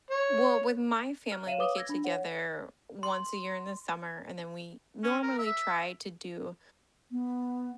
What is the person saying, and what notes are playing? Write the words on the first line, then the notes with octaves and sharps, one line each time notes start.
Well, with my family, we get together once a year in the summer, and then we normally try to do
C#5
F6
C#5 E5 F5 D#7 E7 F#7
B4 C#5 F5 D6 D#6 G7
E6 G#6 A#6
D4 B5
C#5 F#5
C6
C#4
A#4
E5
B3